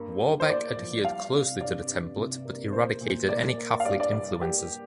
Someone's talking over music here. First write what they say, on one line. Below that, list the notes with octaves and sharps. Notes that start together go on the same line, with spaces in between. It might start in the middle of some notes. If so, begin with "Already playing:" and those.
Warbeck adhered closely to the template, but eradicated any Catholic influences.
Already playing: G2 A#3
G2
C5
A#3 D5
F3
G3 F5
C3
G2 D5
G2
C3
A#3
A#3 C5
A#2
A#3 D5
A#3
F5
G2 D5
D5
G3 D5
A#3 G4
A#3